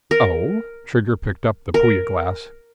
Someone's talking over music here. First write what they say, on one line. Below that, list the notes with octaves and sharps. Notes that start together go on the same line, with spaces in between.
"Oh?" Trigger picked up the Puya glass.
A#4
A#4